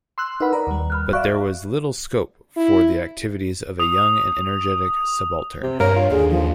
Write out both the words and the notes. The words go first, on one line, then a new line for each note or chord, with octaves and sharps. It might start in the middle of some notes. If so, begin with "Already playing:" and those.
But there was little scope for the activities of a young and energetic subaltern.
C6 E6 F#6
D#4 A#4 B4 F#5 B5
A#4 D5 A#5
D#2 G3
B5 F6 F#6
F#4 D5 E5 F5 C#6 F#6
E4
D#6 F7
C3
G2 A#4 C#5
F4
D#2 D3 G#4
F3